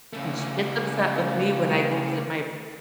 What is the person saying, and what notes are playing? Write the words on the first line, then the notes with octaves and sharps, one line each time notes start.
and she gets upset with me when I go visit my
C#3 A3